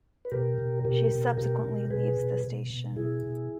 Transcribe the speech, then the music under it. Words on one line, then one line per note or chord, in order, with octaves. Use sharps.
She subsequently leaves the station.
B4
B2 G4 A#4
B2
B2 G4 A#4
B2
B2 G4 A#4
B2
B2 G#4 B4
B2
B2
B2
B2 E4 G#4
B2